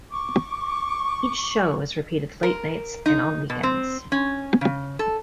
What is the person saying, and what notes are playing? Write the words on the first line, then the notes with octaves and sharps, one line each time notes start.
Each show is repeated late nights and on weekends.
C#6 D6
A#4
D#4
B2
C4
C#4
C#3
A4